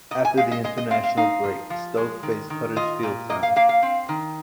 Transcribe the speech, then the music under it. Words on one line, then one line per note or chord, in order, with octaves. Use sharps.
After the international break Stoke faced Huddersfield Town.
A#2 D#5
G#5
G#3 F5
D#5
G#3 D#5
D#5
C4 F5
F5
D#4 F5
F3
F3
G#3
D#3
D#3
F4 D#5
A#2
A#3 D#5
F5
A#3 F5
F5
C4
D#3